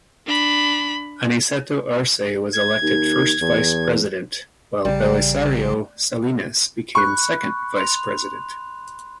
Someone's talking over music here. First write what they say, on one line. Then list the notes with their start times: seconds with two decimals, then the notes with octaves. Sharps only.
Aniceto Arce was elected first vice president while Belisario Salinas became second vice president.
0.26 D4 B5
2.53 G#6
2.82 D#2
3.41 E2
4.85 A1 C#3 G3
6.95 B5 C#6 F#6
7.76 C6 F7